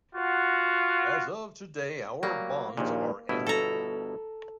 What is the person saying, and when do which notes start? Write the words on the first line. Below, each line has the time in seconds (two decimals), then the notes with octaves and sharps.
As of today our bonds are ended.
0.15 F4 F#4
2.23 F#3 G3 A#3
2.77 A#1 D#2 A#2
3.29 G1 B2 E4
3.47 A4 A#5